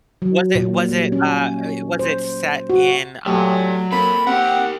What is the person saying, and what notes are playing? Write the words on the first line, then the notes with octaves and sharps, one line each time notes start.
Was it was it, uh eh, was it set in, um,
F#3
A#2
G3
C#4
C5
F#4
F#3 A3 G4 D5 G#5
A#3 C4 A4 B5
C4 G4 A#4 F#5